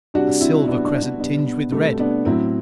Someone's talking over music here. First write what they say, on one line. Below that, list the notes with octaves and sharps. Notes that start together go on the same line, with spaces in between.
A silver crescent, tinged with red.
C3 G3 D4 F#4
C4 E4
C3 G3 B3 D4
B3 D4
B3 D4
B2 G3 B3 D4
B3
B2 G3 A3 C4
B3 D4
A2 F#3 C4 E4